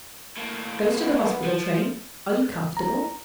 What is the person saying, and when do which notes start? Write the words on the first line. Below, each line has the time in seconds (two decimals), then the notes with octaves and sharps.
Goes to the hospital train--'Are you comfortable?
0.37 A2 A#3
0.92 B3
1.44 F3
2.77 A#5